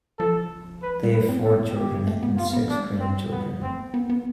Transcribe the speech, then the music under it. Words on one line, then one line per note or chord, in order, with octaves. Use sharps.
They have four children and six grandchildren.
F3 A4
B4
G3
A3 B4
C4
B3
A3 A4
B3
G4
A3
B3
B3 F4
B3
A3 D4
G3
A3
G3 C4
B3
A3 C4
B3
B3
B3